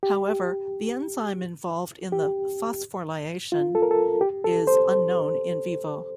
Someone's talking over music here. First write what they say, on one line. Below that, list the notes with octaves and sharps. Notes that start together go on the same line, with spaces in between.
However, the enzyme involved in the phosphorlyation is unknown in vivo.
G4
G4
F4
A4
A#4
A4
G4
A4
C5